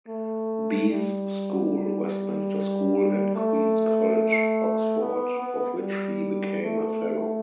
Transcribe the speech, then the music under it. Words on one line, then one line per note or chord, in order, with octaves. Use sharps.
Bees School, Westminster School and Queen's College, Oxford, of which he became a fellow.
A3
G3
A3
B3
B3
G3
A3